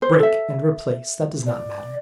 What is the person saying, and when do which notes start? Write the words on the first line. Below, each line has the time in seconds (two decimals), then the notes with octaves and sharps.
Break and replace; that does not matter.
0.02 C5
0.20 A4 E5
1.46 D5